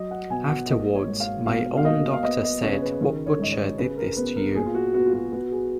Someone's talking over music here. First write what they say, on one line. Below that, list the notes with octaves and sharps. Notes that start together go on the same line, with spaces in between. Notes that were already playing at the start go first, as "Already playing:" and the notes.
Afterwards, my own doctor said: 'What butcher did this to you?
Already playing: F#3 D#5
F#5
B2 G#5
F#5
A#3 D#5
C#5
G#2
F5
B2 F5
F5
A#3 D#5
F5
B3 D#5
D#5
C#3 C#5
B4
D#3
C#5
G#2 D#5
C#5
C#3 B4
A#4
B3 B4
A#4
A#2 G#4
F4
F#4
B3 F#4
F4
F#4
B3 F#4
G#4